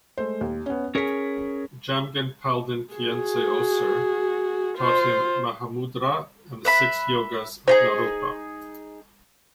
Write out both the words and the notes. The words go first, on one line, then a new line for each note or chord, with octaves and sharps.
Jamgon Palden Kyentse Oser taught him Mahamudra and the Six Yogas of Naropa.
G#3 A3 C5
D#2
B3 C#4
C#4 G#4 A#4 C#5 B6
F#4 G#4
F4 C5
B4 E5 B5
D#4 F4 G#4 C5